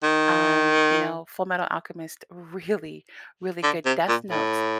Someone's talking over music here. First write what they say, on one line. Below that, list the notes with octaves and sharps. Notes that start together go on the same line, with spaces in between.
Um, you know, Fullmetal Alchemist, really, really good. Death Note,
D#3
D3
C3
A#2
A2